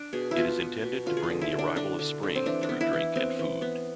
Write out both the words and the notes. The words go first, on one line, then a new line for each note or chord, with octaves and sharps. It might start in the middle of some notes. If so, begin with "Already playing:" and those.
It is intended to bring the arrival of spring through drink and food.
Already playing: D4
B2 G#4
E4
B3 F4
B3
B2
D3 F4
G#4
F4
D3
E4
D3
D4
D3 D4
D3
D3
C4
E3 D4
D4
B3
E4
E3
B3 C4
E3
B3